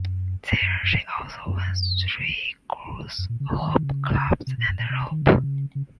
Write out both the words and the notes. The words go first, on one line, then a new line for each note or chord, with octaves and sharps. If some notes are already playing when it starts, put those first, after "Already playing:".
There she also won three golds - Hoop, Clubs and Rope.
Already playing: F#2
F#2
F#2
F#2
F#2
A#2
C#3
C#3
D#3
D#3
C#3
C3
A#2
F#2
A#2
C3
D#3
C#3
C3
C#3
C#3